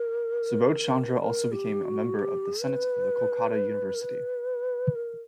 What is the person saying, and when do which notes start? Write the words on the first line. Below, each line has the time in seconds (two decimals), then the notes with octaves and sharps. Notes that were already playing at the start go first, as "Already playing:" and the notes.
Subodhchandra also became a member of the Senate of the kolkatta University.
Already playing: A#4
1.21 A#4
1.52 G4
1.84 F#4
2.15 G4
2.61 B4
3.94 A#4
4.01 B4
4.95 A#4